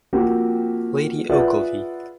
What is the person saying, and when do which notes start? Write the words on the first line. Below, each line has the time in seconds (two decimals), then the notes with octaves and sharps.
Lady Ogilvy.
0.13 F3 A#3 C4 F#4 G4
1.29 F4 G#4 B4 D5 E5 F#5